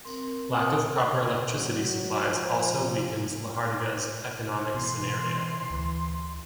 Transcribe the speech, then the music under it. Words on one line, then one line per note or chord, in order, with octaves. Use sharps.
Lack of proper electricity supplies also weakens Lohardaga's economic scenario.
C4 A#4 C6
F#5 A5 D#6
F#3
F3
B2 E3 C6
D2